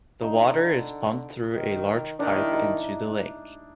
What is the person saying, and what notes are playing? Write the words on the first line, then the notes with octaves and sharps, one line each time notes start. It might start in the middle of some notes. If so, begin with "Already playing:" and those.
The water is pumped through a large pipe into the lake.
D3 D#4
D#3
D#3 D4
E4
D#4